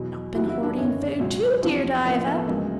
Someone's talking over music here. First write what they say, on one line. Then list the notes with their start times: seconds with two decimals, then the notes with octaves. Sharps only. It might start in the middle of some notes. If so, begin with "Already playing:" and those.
Not been hoarding food, too, dear Diva?
Already playing: E2 B2 F#3
0.35 E2 C3 D#3 F#3 E4 F#4
0.49 E4 F#4
0.63 D4 E4
0.77 G1 F#2 D#3 C#4 D#4
1.20 C#2 B2 F#3
1.62 E2 C3 F3 C4 D4
2.05 A1 A2 F3 A#3 C4
2.27 A3 B3
2.48 D2 C#3 F#3 G#3 A#3